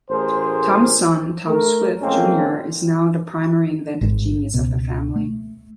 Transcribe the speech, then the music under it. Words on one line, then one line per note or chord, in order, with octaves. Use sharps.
Tom's son, Tom Swift, Junior is now the primary inventive genius of the family.
A1 A2 G#4 A#4 C5
A3 A#4
F2 A2 G#3 A#3 C4 C#4
G#1 G#2
C#2 B2
A3